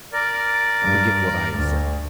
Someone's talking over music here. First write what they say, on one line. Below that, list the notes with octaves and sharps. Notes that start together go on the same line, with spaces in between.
Forget what I have said.
A#4 D5
G2
D2